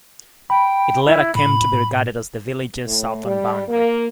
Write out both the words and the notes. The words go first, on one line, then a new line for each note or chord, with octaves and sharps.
It later came to be regarded as the Village's southern boundary.
G5 B5
E4
A2 B5
A2
G3
A#3